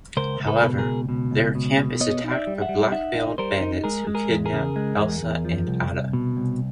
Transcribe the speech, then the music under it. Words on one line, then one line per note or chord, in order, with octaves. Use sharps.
However, their camp is attacked by black-veiled bandits who kidnap Elsa and Ada.
C#2 A#4 C5
C#2
A4 B4
B2
G#4 A#4
C#2
B2
C#2
B2
B2
B3 C#5 D#5
D#4
D5 E5
G3
E5 F#5
G3
D#4 E5 F#5
D#4
G3 A#4 C5
D#4
G#3 G#4 A#4
G#3
G#4 A#4
E2
G#4 A#4
C#3
G#3
E2
E2
F3
C2
C2
B2
C2